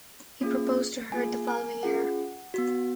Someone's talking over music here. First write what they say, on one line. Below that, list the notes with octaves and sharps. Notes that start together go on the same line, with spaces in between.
He proposed to her the following year.
A#3 C#4 F4 G#4
A#3 F4 G#4 G#5
G#5
C#4 F4 G#4 F#5
B3 F#4